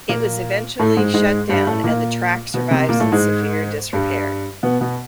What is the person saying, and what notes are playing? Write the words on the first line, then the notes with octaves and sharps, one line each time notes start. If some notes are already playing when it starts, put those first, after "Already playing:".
It was eventually shut down and the track survives in severe disrepair.
A#2 A#3
A2 A3
G#2 G#3
G#2 G#3
G2 G3
A2 A3
A#2 A#3
B2 B3
C3 C4
A#2 A#3
A2 A3
G#2 G#3
G2 G3
B2 B3
B2 B3